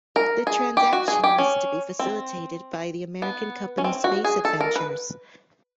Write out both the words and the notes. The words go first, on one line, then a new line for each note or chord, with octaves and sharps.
The transaction was to be facilitated by the American company Space Adventures.
A#4
G#4
G4
F#4
G#4
G4
C#4
C4
B3
C#4
C4
F#4
G#4
A4
A#4
B4